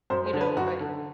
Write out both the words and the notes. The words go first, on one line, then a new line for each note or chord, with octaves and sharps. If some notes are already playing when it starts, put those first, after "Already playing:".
you know, I,
F#2 C5
C5
D3
B4
F#2 F#4
D3